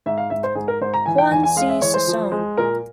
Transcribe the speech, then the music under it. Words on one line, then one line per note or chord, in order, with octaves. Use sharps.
Juan C. Sison.
G#2 E5
F5
G#2 E5
C5
G#2 G#4
A#4
G#2 C5
A#5
E3 G#5
G5
E2 G#5
G#5
G#3 F5
E5
E3 C#5
C5
F3
G#3
A#2 A#4